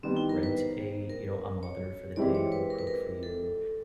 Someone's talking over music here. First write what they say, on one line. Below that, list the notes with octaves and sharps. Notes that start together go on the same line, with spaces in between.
rent-a you know, a-mother-for-the-day-who-will-cook-for-you,
D#3 G3 B3 C4 D#4
E4
A#4
B4
C5
A#4
C#5
E3 G#3 C4 E4 G4 D5
C#5
B4
A#4
B4
A#4
A4